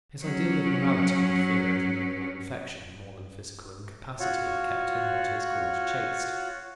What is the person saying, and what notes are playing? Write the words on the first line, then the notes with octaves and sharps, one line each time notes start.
His ideal of morality and fear of venereal infection, more than physical incapacity, kept him what is called chaste.
F#3 C#4
F4 F#4 C#5